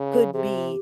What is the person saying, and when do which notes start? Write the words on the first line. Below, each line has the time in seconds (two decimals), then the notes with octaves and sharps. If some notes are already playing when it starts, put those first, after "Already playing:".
could be
Already playing: C#3
0.13 A4
0.34 C3 G#4
0.54 G4